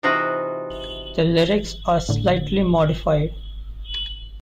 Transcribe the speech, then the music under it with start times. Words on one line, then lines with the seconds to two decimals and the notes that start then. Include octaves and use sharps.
The lyrics are slightly modified.
0.03 C3 E3 D#4 F4 F#4 B4
2.09 A2 D3